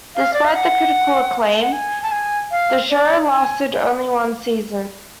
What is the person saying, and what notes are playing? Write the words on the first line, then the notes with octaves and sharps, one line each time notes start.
Despite the critical acclaim, the show lasted only one season.
F5
D5
F5
F#5
F#5
G#5
A5
G#5
F5
D5
G#5